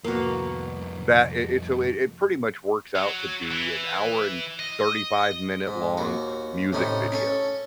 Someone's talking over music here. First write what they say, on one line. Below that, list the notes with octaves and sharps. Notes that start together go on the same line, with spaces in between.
that it it's a way it pretty much works out to be an hour and thirty-five-minute-long music video.
C2 F2 A#3 B3 F#4
F#3
E3
D#5
G#2
D#2 F#4
A2 C3 C#4 D#4
C#4 A4 C#5